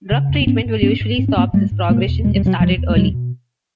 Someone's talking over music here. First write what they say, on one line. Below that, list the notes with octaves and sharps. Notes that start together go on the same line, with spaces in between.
Drug treatment will usually stop this progression if started early.
C#3
F2
C4
G#2 B3 C#4
G#2
G#2 B3 C#4
G#2
G#2 C4
C#4
G#2 A#3 C4
G#2 G3 A3
G#2
B2 G#3 A#3
E2
B2 G#3
G3
B2 F#3 G#3
E2 F3 G3
E2
A3
B2 F#3 G#3
B2